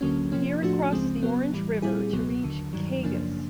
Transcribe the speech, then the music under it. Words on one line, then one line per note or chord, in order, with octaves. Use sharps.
Here it crosses the Orange River to reach Koegas.
D2 D3 F#3 A#3 C#4
C3 F3 A#3 C#4
A2 F3 A3 D4 F#4
C#2 C#3 F3 G#3 C4
C#3 F#3 B3
A2 E3 G3
A#2 G3 C4 E4 G#4
C#2 B2 F#3 B3
D#2 D3 F#3
G2 D#3 F#3
F#2 C#3 F3 A#3 D4